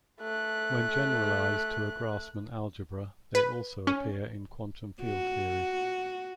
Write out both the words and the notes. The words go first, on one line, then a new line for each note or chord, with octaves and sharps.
When generalized to a Grassmann algebra, they also appear in quantum field theory.
A3 F#6
B4
C#4
F#4